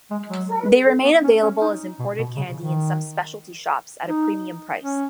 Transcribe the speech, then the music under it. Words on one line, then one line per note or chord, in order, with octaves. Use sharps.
They remain available as imported candy in some specialty shops at a premium price.
G#3
F#3
B3
C#4
C#4
D#4
B2
B2
C#3
D#3
D#4
C#4